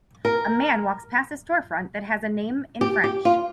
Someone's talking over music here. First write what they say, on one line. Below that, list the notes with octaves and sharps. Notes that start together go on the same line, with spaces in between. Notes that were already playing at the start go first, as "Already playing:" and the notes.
A man walks past a storefront that has a name in French.
A#4
G4
G4
F4